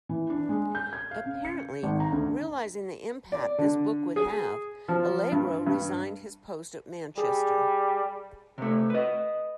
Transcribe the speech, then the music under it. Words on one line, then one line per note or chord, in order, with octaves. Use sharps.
Apparently realising the impact this book would have, Allegro resigned his post at Manchester.
E3
D4
G#3
G6
G#6
F5
C#3
C#7
G#1
A#5
D2
D5
D3
G#4
F3
G2
G2
G3 G#4
C3 A3
B4 D#5